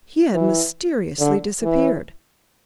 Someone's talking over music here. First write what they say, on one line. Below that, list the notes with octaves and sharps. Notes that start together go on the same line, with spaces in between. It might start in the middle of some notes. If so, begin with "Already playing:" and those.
He had mysteriously disappeared.
E3
D3
E3